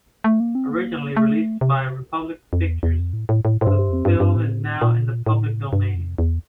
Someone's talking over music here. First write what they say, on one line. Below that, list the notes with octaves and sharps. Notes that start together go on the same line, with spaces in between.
Originally released by Republic Pictures, the film is now in the public domain.
A3
A#3
C4
A#3
A3
C3
F2
E2
E2
F2
A2
A2
A2
A2
G2
F2
G2
G2
A2
A#2
A2
G2
F2
E2